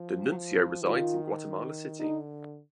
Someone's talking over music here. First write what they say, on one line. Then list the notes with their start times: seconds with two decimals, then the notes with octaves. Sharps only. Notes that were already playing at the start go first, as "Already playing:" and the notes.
The nuncio resides in Guatemala City.
Already playing: F3
0.82 D#3 F4
1.99 D3 D#4